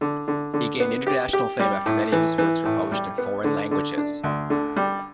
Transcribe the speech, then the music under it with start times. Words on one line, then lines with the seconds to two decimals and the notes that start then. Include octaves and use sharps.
He gained international fame after many of his works were published in foreign languages.
0.01 D3
0.28 D3
0.54 D3
0.80 B3
1.07 G4
1.33 G4
1.59 G3
1.86 A2
2.12 E3
2.38 E3
2.65 A2
2.92 G3
3.18 B3
3.44 D3
3.71 D3
3.97 D4
4.24 D2
4.50 D3
4.76 G3